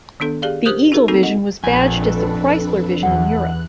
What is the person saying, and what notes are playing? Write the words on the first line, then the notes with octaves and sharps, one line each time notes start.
The Eagle Vision was badged as the Chrysler Vision in Europe.
D#3 B3 D4 A4
G4 G#4 D5 F5
G4 A#4 C5 D#6 F#6 G6
D#4 F#4 G#4 A#4
A#3 C4 D#4 F#4 A4
D#5 F#5
A#1 F2 D4 A4 B4 G#5
E2 E3 F#5 F#6